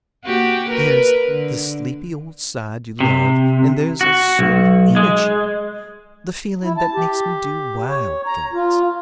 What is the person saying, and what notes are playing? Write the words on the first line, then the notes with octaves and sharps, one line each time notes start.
There's the sleepy old side you love an' there's a sort of energy--the feeling that makes me do wild things.
A#3 F#4 G4
A#4 B4
D3
C3
F#4
B1
G#3
E4
A5
G4
C#5
A#5
F4